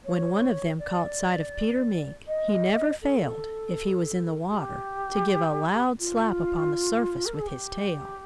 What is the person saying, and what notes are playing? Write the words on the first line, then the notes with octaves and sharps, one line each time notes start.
When one of them caught sight of Peter Mink he never failed--if he was in the water--to give a loud slap upon the surface with his tail.
C#5
D5
D#5
A4
G4
F4
A#4
A4
G#4
G4